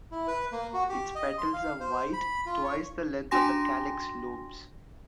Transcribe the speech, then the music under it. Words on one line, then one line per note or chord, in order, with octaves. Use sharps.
Its petals are white, twice the length of the calyx lobes.
E4
B4
A#3
F#4
G4
D#5
C6
F5
C5
B5
F4
C#5
D4 F#4 G5 G#5 C6 A#6